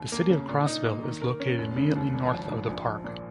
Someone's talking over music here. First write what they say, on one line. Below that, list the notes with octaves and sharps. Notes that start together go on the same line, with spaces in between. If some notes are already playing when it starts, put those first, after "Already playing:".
The city of Crossville is located immediately north of the park.
Already playing: D#2
A#3
C#3
A#2
D#4
A#3
D#3
A#4
C#4
F1
C#3
D#2
G#1
F3
G#2
A#1
F3
A#2